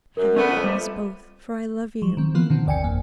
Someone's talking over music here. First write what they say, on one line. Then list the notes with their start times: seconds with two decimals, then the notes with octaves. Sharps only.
"Heaven help us both; for I love you!"
0.17 F#2 A#4
0.36 D3 A3 B3 C#4 B4 F#5
0.50 F2 D#7
0.64 G3 A#3 E5
2.02 F3 F#3
2.17 D#3 C4
2.35 E3 F3 A#3 B3 F4
2.50 B2 D3 D#3 C4
2.66 G1 D#2 D5 G5 G#5 C#7
2.84 G1 F2 A#3